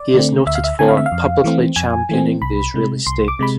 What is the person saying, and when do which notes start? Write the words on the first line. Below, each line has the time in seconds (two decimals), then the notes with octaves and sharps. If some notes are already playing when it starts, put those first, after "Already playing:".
He is noted for "publicly championing the Israeli state".
Already playing: D5
0.14 D3 A3 C4
0.46 D2 E5
0.55 F5
0.64 E5
0.79 D3 A3 C4 G#5
0.88 F5
0.98 E5
1.06 F5
1.12 F2
1.44 E3 A3 C4
1.76 F2 G#5
2.09 E3 A3 C4
2.42 C2 B5
2.74 C3 G#3
3.07 C2 C6
3.28 D6
3.39 C3 G#3 B5